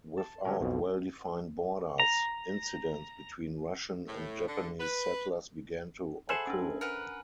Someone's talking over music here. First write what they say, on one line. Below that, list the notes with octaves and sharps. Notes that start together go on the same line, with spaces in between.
Without well-defined borders, incidents between Russian and Japanese settlers began to occur.
A5
D3 F#3 C#4 A#4
B1 F2 B2
A#5
A2
D3
B4
G#4 A4 C5 E5 F#5 B5
C#4 D4
A#4 B4 F#5 G#5 A#5